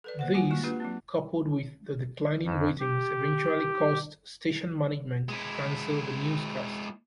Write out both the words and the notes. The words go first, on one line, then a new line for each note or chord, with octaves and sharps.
This, coupled with the declining ratings, eventually caused station management to cancel the newscast.
A4 B4 D5
A#3 C5 F#5
B3 F4 F#4 F#5 G#5
G#3 A#3 C#6
A#3 D4 F4 G4 B4
F#3 A#3 C4
F2
G4
G#3 E4